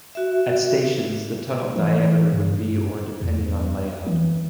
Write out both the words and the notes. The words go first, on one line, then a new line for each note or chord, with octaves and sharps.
At stations, the tunnel diameter would be or depending on layout.
F#4 E5
E3
G2
E2
E3